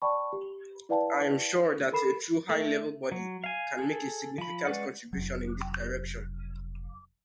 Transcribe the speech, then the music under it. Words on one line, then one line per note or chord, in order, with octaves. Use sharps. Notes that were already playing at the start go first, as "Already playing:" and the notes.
I am sure that a true high-level body can make a significant contribution in this direction.
D5 G5 A5 B5 C#6
G4
E4 B4 D5 F5 G5 A5
A4 A#4 B5 C7 E7
A3
F#3
F5 G#5
G#4 A4
F3 B5
G#3 C#4 B4 D5 F#5
F1 F#3